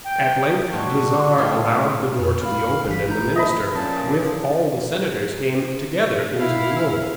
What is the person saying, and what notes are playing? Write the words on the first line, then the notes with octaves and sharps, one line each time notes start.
At length the Czar allowed the door to be opened, and the minister, with all the senators, came together into the room.
G5
D#2 G#2 F3 D4 F#4 C#6
G3
A2 G3 D#4 F4 F5
F2
F5 B5 F6
G1 E3 B6
A#5 G6
D#5 E5 A5 B5
A#2 F3 C#4 A5
E4 F5